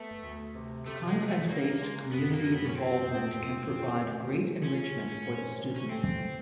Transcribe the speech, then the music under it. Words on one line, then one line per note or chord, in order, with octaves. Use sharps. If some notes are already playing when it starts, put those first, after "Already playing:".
Content-based community involvement can provide great enrichment for the students.
Already playing: A3 B3
D2
C3
C3 A3
G#3
E3
A3
C#3 A#3
G#3
F#2 B3
A#3
F#2
B3
C#4
F3 C4
F2
F2
F3
A2
F3
F3 C#4
A2
C4
C3
C#4
A3 C4
E3